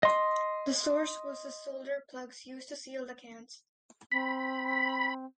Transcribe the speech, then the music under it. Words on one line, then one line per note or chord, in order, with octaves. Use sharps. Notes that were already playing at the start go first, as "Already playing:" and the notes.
The source was the solder plugs used to seal the cans.
D#5 C6
C4 B5